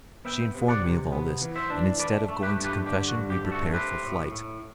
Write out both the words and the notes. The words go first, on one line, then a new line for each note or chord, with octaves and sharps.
She informed me of all this, and instead of going to confession we prepared for flight.
B3 E5 G5
C3
D5 F#5
C3
B3
E3
C5 E5
D4
A3 B4 D5
A3
G4 B4
G2
G4 B4
D3 G4
F#4
G2
G4
A3
F#4 A4
C4 G4 B4
A2
A2